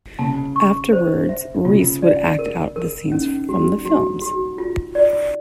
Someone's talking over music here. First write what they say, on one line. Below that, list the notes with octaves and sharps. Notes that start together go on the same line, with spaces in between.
Afterwards, Reese would act out the scenes from the films.
C#3 A5
C#6
C5
E5
C#3 F4
D5
A#4
A#4
D#3 C#4
G3 F#4
F#3 F#4
F#4
F4
D5